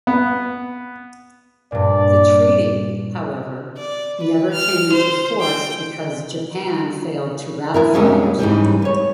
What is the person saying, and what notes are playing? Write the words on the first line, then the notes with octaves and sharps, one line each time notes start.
The treaty, however, never came into force because Japan failed to ratify it.
B3
G2 A#2 D5
D5
B4
F6
C5
G5
B3 E4 A#4
F2 G3 G#3 A#3 C#4 D4
G#2 C#3 E3 G3
B3 C#5